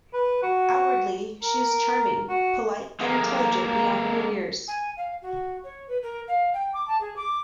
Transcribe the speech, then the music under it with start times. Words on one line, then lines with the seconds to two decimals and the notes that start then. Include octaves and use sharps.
Outwardly, she is charming, polite and intelligent beyond her years.
0.13 B4
0.43 F#4
1.43 A#4
2.29 F#4
3.00 G#3 A#3
4.68 G#5
4.97 F5
5.22 F#4
5.63 C#5
5.88 B4
6.03 A#4
6.27 F5
6.53 G5
6.73 D6
6.87 A5
7.00 G#4
7.16 D6